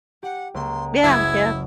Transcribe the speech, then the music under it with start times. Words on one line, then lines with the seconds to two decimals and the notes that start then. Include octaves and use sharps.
Yeah, yeah.
0.23 G4 F#5
0.54 C#2 A#3 C6
1.03 F#1 E4 D#6 G#6